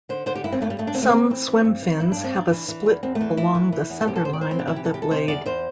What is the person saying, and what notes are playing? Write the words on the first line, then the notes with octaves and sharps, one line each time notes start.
Some swimfins have a split along the centreline of the blade.
D3 C5
D3 C5
G4
G2 E4
C4
G2 A3
G3
G2 A3
D4
D3 C4
A3
D3 C4
E3 C4
E3
G2
E3
G2 E4
G2 D4
C4
G2 D4
E3
E3
E2
E2 C4
A3
E3
E3 E4
E3
E3
E2
A4
C3 G4
A4
E2 C5
D5
E3 C5
C4
C3 D4
E4
E3 G4
A4
C3 G4
A4
C3 C5
E2 D5
E2 C5